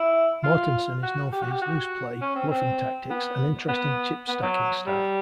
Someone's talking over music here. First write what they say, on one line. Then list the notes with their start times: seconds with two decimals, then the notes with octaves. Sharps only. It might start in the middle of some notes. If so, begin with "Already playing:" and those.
Mortensen is known for his loose play, bluffing tactics, and interesting chip-stacking style.
Already playing: E4
0.44 F4
1.02 F#4
1.32 G4
1.42 F#4
1.52 G4
1.61 F#4
2.21 C#4
2.35 C4
2.51 C4
3.10 B3
3.68 B3
4.28 B3
4.42 F#3
4.87 G3